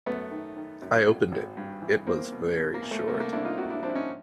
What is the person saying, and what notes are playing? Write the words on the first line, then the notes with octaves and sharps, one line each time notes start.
I opened it — it was very short.
F#2 A3 B3
D#3
D#3
F#2
G#1
G#1
G2
E3
E2 A#3 C4
B2
B2
A#3
E2
A3
C2 A#3
A3
A#3
C2 D4 E4
D#4 F4
C3 E4 F#4
D4 E4
F3 C4 D4
E4
C#4 D#4